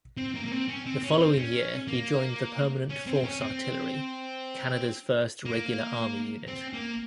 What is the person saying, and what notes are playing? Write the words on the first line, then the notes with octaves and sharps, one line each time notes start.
The following year he joined the Permanent Force artillery, Canada's first regular army unit.
C4
A#3
A#3
C4
C#4
C4
C#4
C4
C#4
A#3
C#4
C4
C#4
C4
A#3
C4
A#3